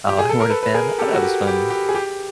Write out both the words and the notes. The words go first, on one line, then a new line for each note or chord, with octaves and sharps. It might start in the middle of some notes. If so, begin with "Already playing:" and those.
Uh, you weren’t a fan oh, that was fun.
G4
G#4
A4
A#4
A4 B4
B4
G#4 A#4
G4 A4
F#4
G4
G4
G4
G#4
G4